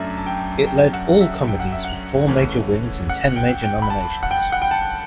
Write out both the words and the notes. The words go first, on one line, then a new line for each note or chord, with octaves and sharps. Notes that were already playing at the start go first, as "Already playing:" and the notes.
It led all comedies with four major wins and ten major nominations.
Already playing: F#2 A3 D4 E5
A5
G5
G5
F#5
E5
G5
F#5
E5
F#5
C#3 E3 A3 C#4
F#5
G5
G5
B5
A5
F#5
G5
F#5
G5
A5